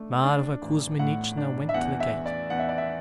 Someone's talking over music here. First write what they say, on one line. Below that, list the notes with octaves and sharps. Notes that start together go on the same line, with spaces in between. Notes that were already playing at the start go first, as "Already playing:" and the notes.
Mavra Kuzminichna went to the gate.
Already playing: A3 D4
D4
A1
A2 F#5
D4
E5
E2 F#5
E5
E2
D5
E2 F#5
E5
D5
E5